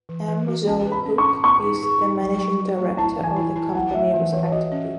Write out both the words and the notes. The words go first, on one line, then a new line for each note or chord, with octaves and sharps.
M Ziaul Huq is the managing director of the company respectively.
E3
E3
F#4
C#4 A5
B4
B5
C#4
C#6
C#4
B3 C#6
D#4
G#4
D#4
F#3
F#3
F#3
A3
E4 A5
E3
G#5
E4
E4
E4 F#5
A3 E5
E3
E3 C#5
F#4 D#5
C#4